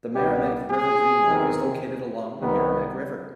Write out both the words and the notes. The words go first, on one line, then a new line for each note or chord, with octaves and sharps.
The Meramec River Greenway is located along the Meramec River.
C2 B2 G3 B3 G4
G#4
E2 C3 D#3
C2 C3 D#3 G3 B3